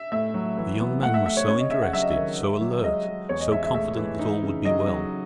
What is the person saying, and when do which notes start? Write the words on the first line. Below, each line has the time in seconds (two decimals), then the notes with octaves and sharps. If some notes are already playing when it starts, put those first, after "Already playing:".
The young man was so interested, so alert, so confident that all would be well.
Already playing: E5
0.12 A2 E5
0.34 F#3
0.57 E3
0.80 B3
1.03 A2 F#5
1.14 E5
1.25 A2 E5
1.37 C#5
1.47 C#4 C#5
1.59 D#5
1.70 C#3 E5
1.82 F#5
1.93 F#3 E5
2.02 D#5
2.11 E5
2.16 D#3
2.38 D#3
2.61 F#3
2.84 G#3 D#5
3.07 G#3
3.29 E2 C#5
3.41 D#5
3.52 G#3 E5
3.63 E5
3.74 A2 E5
3.97 E3
4.19 D#4
4.42 C#3
4.65 F#3 D#5
4.88 F#3